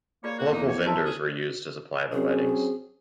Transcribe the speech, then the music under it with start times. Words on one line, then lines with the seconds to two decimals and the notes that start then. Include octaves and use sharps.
Local vendors were used to supply the weddings.
0.24 A#3 F4 G#4 C#5 D5
0.39 F#4
0.52 E2 D#4
0.68 C#5
0.87 E4 E5 A5 C6
1.05 G#4
2.13 F#3 C4 C#4 G#4